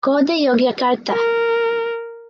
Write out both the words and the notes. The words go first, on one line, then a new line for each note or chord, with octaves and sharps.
Code Yogyakarta.
A#4